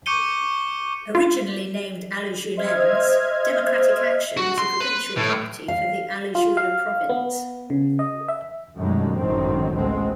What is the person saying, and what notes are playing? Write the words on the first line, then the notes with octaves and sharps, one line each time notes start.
Originally named Alajuelense Democratic Action was a provincial party for the Alajuela Province.
C#6 D6 G6 C#7 D#7 G7
F4
C5 D#5 E5 F6 G#6
F#4
C6
B4
A2
F5
F4
F5
B3
C#3
D#5
E5
F#2 B2 D3 D#3 G3 G#3
G#1 F#2 A2 D3 D#3 C4
A1 D2 G#3 B3 C4